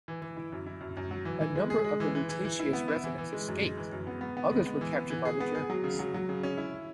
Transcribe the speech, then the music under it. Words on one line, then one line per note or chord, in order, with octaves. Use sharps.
A number of the Lutetia's residents escaped; others were captured by the Germans.
E3
E3
E4
F#2
E4
F#2
F#2
F#3
E3
E3
G#3
G#4
G#3
E3
E3
E3
E3
E4
B3
E4
E3
E3
G#3
F#2
G#3
E3
F#2
B3
B3
B3
G#3
B3
E3
B3
E3
G#4
B3
G#4
F#3
C#3
F#3
F#3
C#3
C#4
E4